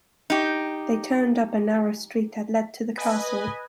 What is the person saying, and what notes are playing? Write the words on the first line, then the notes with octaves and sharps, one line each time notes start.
They turned up a narrow street that led to the Castle.
D#4 G4
B4 D#5 G#5